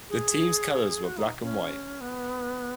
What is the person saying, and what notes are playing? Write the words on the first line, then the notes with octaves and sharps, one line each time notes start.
The team's colors were black and white.
G#4
F#4
D#4
C#4
B3